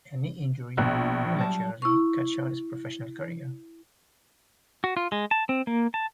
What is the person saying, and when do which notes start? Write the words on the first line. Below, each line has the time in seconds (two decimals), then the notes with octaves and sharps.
A knee injury prematurely cut short his professional career.
0.77 A#1 B2 F#6
1.36 F#3 G3 A5
1.82 E4 C#6
4.84 F#4
4.97 F4
5.12 G#3
5.31 A5
5.49 C4
5.67 A#3
5.94 A5